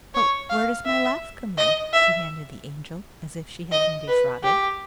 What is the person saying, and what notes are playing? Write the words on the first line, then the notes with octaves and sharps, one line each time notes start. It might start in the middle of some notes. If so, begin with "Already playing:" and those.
"But where does my laugh come in?" demanded the Angel, as if she had been defrauded.
C#5
F5
E5
D#5
E5
D#5
B4
G4